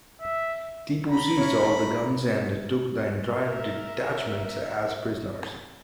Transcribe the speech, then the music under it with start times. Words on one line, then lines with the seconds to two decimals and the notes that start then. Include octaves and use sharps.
Tipu seized all the guns and took the entire detachment as prisoners.
0.21 E5
1.09 A#5 B5
1.37 C#4 E4 C#5
3.34 A#4 E5